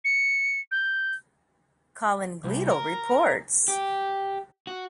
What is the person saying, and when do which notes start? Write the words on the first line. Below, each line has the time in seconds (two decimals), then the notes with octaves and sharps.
Colin Gleadell reports.
0.05 C#7
0.71 G6
2.44 C2
2.71 A#4
3.68 G4
4.67 F#4